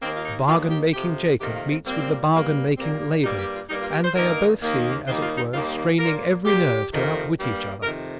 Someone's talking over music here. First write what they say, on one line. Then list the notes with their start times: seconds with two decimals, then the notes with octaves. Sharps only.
The bargain-making Jacob meets with the bargain-making Laban, and they are both seen as it were, straining every nerve to outwit each other.
0.02 D#2 D#3 A#3 C4
0.16 F4
0.25 D#4
0.47 D#2 D#3 A#3 F4
0.70 G4
0.93 F2 C3 F3 G4
1.40 F2 C3 D#3 A#3 G4
1.55 F4
1.71 C4
1.86 A#2 G3 A#3 C4
2.32 G2 G3 A#3
2.77 A#2 G3 A#3 C4
3.23 G2 G3 A#3 D#4
3.39 G4
3.54 F4
3.70 G2 G3 A#3 D#4
3.81 F4
3.92 G4
4.04 C5
4.16 G2 D#3 A#3 A#4
4.61 D#2 D#3 A#3
5.07 D#2 D#3 G3 A#3 C5
5.22 F4
5.38 D#4
5.53 D#2 D#3 G3 A#3 F4
5.99 A#2 A#3 A#4
6.45 A#2 A#3 G4
6.92 F2 C3 D#3 A#3
7.37 G2 G3 A#3
7.82 F2 C3 D#3 A#4